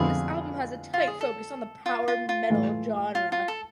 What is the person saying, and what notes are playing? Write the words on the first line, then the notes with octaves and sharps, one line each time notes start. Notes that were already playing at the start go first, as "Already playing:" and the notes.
This album has a tight focus on the power metal genre.
Already playing: F2 D3 F3 B3 E4 G#4
F4
G#4
A4
F4
F4
F4
A2 E3 A3
F4
F4
A4